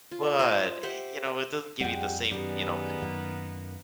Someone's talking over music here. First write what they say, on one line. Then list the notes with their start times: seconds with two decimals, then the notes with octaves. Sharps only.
but, eh, you know, it doesn't give you the same, you know,
0.11 F4
0.39 C5 D#5 G#5
0.83 G4 C5 E5 F#5
1.81 F2 G3 G#3 G4 F#5
2.31 F#2 D#3 G3 B3 G#4
3.02 F#2 A#3